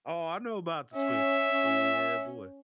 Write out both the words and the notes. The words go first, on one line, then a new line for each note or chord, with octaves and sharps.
Oh, I know about the switch. Yeah, yeah, yeah, boy.
C#4 E5